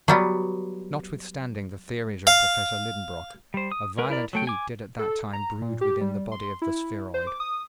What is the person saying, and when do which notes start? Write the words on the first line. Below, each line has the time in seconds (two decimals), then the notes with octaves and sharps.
Notwithstanding the theories of Professor Liedenbrock, a violent heat did at that time brood within the body of the spheroid.
0.08 F#3 G3 B3
2.27 F5
3.54 G3 C5
3.72 D#6
3.98 G#3 A#4 B4
4.10 E4 A#4 D5
4.33 F#3 A3 G5
4.47 G#5 D6
4.99 A4
5.33 A#5
5.62 A#2
5.81 G4
6.01 G3
6.32 C6
6.62 E4
7.14 C5
7.27 D6
7.40 D#6